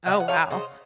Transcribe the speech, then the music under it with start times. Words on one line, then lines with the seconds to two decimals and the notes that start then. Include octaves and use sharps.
Oh, wow.
0.06 C#3 D#5 F#5
0.20 F#5
0.28 F#3 A3 C#5 F5
0.50 C#3 C5 D#5